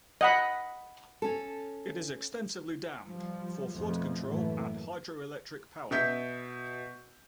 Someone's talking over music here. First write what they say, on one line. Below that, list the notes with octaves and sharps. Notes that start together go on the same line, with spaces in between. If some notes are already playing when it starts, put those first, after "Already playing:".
It is extensively dammed for flood control and hydroelectric power.
D#5 F#5 B5
C#4 A4
F3 G3
F2 B2 F3 A3
F#2 A2 E3 A3 A#3
B2 E5 G6 B6